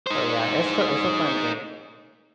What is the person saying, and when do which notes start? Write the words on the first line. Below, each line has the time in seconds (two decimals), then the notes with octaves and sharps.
So, yeah, it's a it's a fun game.
0.07 D#4 C5